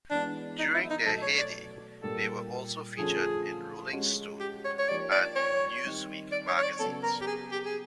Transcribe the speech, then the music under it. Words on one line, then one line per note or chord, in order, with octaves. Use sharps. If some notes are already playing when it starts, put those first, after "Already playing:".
During their heyday, they were also featured in "Rolling Stone" and "Newsweek" magazines.
E3 G#3 B3 D4
D#4
E4
D#4
B2 F#3 A3 A4
C#5
D5
A#2 G3 A#3 D4 G4 A4
D3 F3 A3 C#4 F4 G#4
G#3 C#4 F#4
G4
C#5
C#5
F3 A#3 D#4 G4 D5
D5
C#5
D#3 G3 C4 D#4
D5
C#5
C#5
D5
C#3 F#3 B3 A4
A#4
G4
G#4
G4
G#4